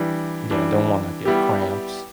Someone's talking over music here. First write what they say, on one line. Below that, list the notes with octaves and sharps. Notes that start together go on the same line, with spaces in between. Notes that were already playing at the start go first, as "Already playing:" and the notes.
Yeah, don't wanna get cramps.
Already playing: E3 G3 D4
E3 G3 D4
G3 B3 E4 G4